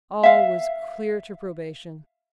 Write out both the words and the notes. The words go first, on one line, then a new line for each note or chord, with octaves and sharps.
All was clear to probation.
E5 F5